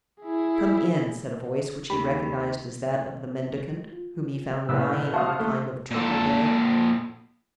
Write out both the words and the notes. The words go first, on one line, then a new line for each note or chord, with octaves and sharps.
"Come in," said a voice which he recognized as that of the mendicant, whom he found lying on a kind of truckle bed.
E4 G#4
D#2 G4 B5
F4
F#1 A2 C3 B3 E6
F#4 F5 A5 C6 D#6 F6
A3
A#2 A4